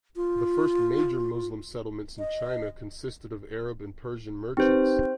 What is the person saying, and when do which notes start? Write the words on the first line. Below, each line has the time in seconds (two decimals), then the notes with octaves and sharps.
The first major Muslim settlements in China consisted of Arab and Persian merchants.
0.16 F4
2.19 D#5
4.57 C4 D#4 G4 B4 C5